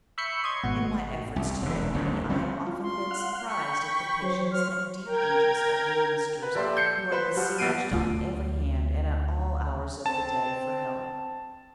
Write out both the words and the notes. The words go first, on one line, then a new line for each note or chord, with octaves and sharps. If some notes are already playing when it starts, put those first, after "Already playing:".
In my efforts to get money I have often been surprised at the patience and deep interest of the ministers, who are besieged on every hand and at all hours of the day for help.
E5 B5 C#6 G6 C7 C#7
C#5 D#5 C6 G#6
G#1 B2 F#4
C2
E1 D3
E1
F#1 D2 G#2 D#3
G3 C4 C#4
F4
C6
F5 F#5
G5 B5 C#6
F#3 C5 C#5
F6
A#4 G5 A#5 G#6
B4
A#1 G4 A4 D5 E5 C6
G6 C7 C#7
B4 C5 B5
F3 G3 F#4
A#1 G3 B3 C7 D7 D#7
D2 F4
C4 A5